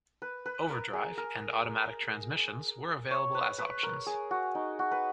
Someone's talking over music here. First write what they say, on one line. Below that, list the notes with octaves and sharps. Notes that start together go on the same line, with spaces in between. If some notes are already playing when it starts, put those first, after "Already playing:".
Overdrive and automatic transmissions were available as options.
B4
B4
A#4
G#4
A#4
C#5
B4
B4
A#4
G#4
F#4
D#4
F#4
B4